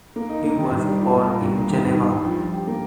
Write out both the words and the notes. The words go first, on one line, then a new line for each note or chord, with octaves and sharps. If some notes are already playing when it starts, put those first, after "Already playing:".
He was born in Geneva.
A#3
D#4
A#3
D#3
G2
G3
F4
A#2
A#3
G2
A#3
D#3
G2
G2
G2
F3
F3
G4
A#3